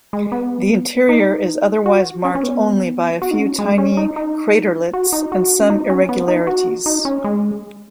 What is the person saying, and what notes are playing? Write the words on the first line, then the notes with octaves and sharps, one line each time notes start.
The interior is otherwise marked only by a few tiny craterlets and some irregularities.
G#3
B3
D#4
F#4
C#4
C#4
B3
F#4
D#4
C#4
G#3
C#4
D#4
D#4
F#4
D#4
F#4
C#4
D#4
C#4
B3
D#4
F#4
D#4
C#4
G#3